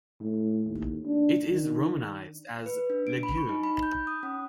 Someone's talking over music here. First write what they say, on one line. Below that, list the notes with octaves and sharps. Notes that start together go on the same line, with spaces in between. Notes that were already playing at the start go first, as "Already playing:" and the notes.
It is Romanized as "Lugeum".
A2
D#2
D4
D#3
B4
D4
D7
B5
C#6
D#4
B5
G6
D#6
C#4